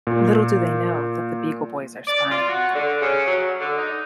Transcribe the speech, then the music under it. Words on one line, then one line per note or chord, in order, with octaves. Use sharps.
Little do they know that the Beagle Boys are spying on them.
A#2
D5
F4
F#4
D3
C#3
F#3
D3
D#4